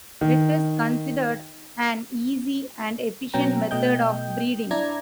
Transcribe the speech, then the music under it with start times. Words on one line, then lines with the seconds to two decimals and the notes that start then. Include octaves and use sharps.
It is considered an easy and efficient method of breeding.
0.21 D#3
3.34 B2 F#3 B3 C#4 G5 A#5
3.71 B2 A3 D#5 G5 G6
4.71 D4 E4 D5 A#5 G#6